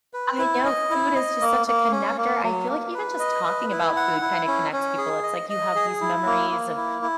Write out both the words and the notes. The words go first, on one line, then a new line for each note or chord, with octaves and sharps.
I know food is just such a connector, I feel like even just talking about food kinda connects people, it's like, you have these memories of,
B4
E4
D#5
E4
D#5
A#3
A#3
C#4
A#3
F#3
A#3
B4
D#5
B4
E4
F#5
E4
C#4
C#4
G#4
D#5
D#5
G#4
E4
A#3
A#3
E4
E4